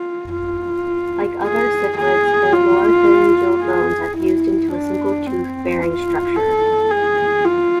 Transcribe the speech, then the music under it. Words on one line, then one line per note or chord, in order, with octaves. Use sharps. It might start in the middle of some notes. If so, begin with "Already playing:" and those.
Like other cichlids, their lower pharyngeal bones are fused into a single tooth-bearing structure.
Already playing: F4
F4
G#4
G#4
F4
G#4
E4
D4
C4
F4
A4
G#4
F4